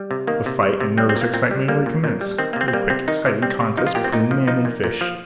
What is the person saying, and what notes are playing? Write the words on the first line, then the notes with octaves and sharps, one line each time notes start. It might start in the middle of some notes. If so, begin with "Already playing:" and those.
The fight and nervous excitement recommence--the quick, exciting contest between man and fish.
Already playing: G3
C3
D#3 A#3
C3
G3
C3
G3 C4
C4
A#2
A#3
A#2 C4
G3
G3 A#3
A#2
A#2
G3
D#3 C4
A#3
C3 C4
C4
G3 A#3
C3 C4
D#3 D#4
C3
G3 C4
C3
F3 D#4
F4
A#2 G4
C4
A#2 D#4
F3
F3 D#4
A#2
A#2
F3